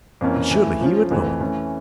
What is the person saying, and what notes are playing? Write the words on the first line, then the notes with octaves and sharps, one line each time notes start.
"And surely he would know!"
F2 E3 A#3 C#4
E3 A3 E4
F3 C#4 F4
F2 E3 A3
E3 A3 C#4